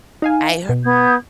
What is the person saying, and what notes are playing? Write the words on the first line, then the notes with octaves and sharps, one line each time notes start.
I her
D#4 F5 G#5
B2
B3 D#6 G6 G#6